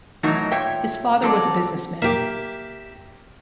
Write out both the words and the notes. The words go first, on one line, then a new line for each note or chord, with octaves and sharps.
His father was a businessman.
B2 E3 F#3 A3 D#4 A#4
A#2 C#5 E5 G5
F#3 C4 A4 C5 D5
A#3 G4 E5